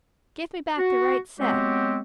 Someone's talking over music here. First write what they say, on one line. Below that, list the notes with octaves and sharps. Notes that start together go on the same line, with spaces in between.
'Give me back the right set.
F#4
F#3 G#3 B3 C4 F#4 G4